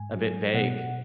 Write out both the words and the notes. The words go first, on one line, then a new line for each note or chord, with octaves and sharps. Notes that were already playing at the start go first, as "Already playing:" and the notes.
a bit vague,
Already playing: G#2 G#5
F#3
B2 F#5